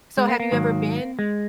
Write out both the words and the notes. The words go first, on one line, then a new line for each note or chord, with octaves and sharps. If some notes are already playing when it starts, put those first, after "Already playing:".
So have you ever been
G#3
A#3
A#3
G#2 D#3 F#3
G#3